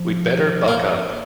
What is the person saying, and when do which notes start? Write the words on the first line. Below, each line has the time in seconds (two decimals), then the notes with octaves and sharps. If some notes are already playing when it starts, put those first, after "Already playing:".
We’d better buck up.
Already playing: F3
0.68 A#3